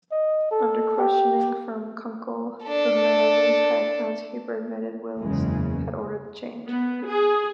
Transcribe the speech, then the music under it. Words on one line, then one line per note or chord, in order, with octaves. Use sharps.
Under questioning from Kunkel, the Mariners' head groundskeeper admitted Wills had ordered the change.
D#5
A4
G4
D4 A4
F#1 E2 C#3 G#3
B3
G#4